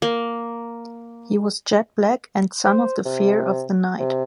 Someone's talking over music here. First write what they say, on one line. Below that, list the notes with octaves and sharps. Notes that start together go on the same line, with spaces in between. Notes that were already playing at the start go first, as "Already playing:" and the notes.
He was jet black and son of the fear of the night.
A#3
C5
C3
C3